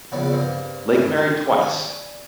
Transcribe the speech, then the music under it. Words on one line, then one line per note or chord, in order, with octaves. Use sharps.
Lake married twice.
A#1 E2 C#3 C#4 B4 D5
G2 A#3 C4
G2 A3 E4
G4 C6
D5 G#5